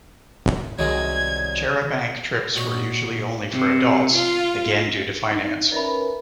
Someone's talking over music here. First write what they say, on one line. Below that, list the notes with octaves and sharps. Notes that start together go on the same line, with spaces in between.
"Charabanc trips" were usually only for adults, again due to finance.
C2 D#3 F#3 G#3 A#4 G#6
A#2 F#4 C#5 D#5 C#6
C3
F4
D#4
C#4 A#4 B4 D#5 E5 B5